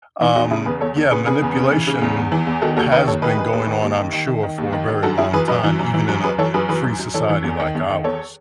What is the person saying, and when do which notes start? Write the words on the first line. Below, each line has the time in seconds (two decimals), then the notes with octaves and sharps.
um, yeah, manipulation has been going on, I'm sure, for a very long time, even in a free society like ours.
0.21 E3 B3 D#4
0.36 E2 D#4 F#4
0.51 C#3 E4 G#4
0.66 E2 G#4 B4
0.81 E2 A4 C#5
0.96 E2
1.11 C#3 G#4 B4
1.26 C#3 G#4 B4
1.42 E2
1.56 C#3
1.72 E3
1.87 C#3
2.01 E2
2.17 E2
2.32 E3
2.47 E2
2.62 D#3 F#4 A4
2.77 D#2 F#4 A4
2.92 D#3 B4 D#5
3.07 D#2 A4 C#5
3.22 D#3 G#4 B4
3.38 D#3
3.53 D#2
3.67 D#3
3.82 D#2
3.98 D#3
4.13 D#3
4.27 D#3
4.43 D#3
4.58 D#2
4.72 D#3
4.88 D#3
5.03 F#2 F#4 A4
5.18 F#2 E4 G#4
5.33 E3 G#4 B4
5.48 F#2 B4 D#5
5.64 E3
5.79 F#2
5.94 E3
6.09 F#2
6.23 F#2 G#4 B4
6.38 E3 A4 C#5
6.54 F#2 G#4 B4
6.68 E3 G#4 B4
6.84 F#2
6.99 F#2
7.14 E3 A4 C#5
7.29 E3
7.44 E2
7.60 D#3
7.75 E2
7.90 D#3
8.04 E2 A4 C#5